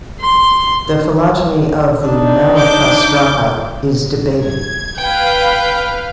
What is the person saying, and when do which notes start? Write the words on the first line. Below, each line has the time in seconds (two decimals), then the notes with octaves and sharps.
The phylogeny of the Malacostraca is debated.
0.20 C6
2.02 D4 D#4
2.58 D6 G6
4.37 G#6
4.97 B4 F5 G5